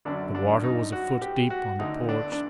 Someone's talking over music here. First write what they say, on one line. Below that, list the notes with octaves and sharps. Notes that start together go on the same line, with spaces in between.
The water was a foot deep on the porch.
F#2 D3 D4
D4
D#4
F#4
G4
F#4
D2 D3 D#4
D4
D4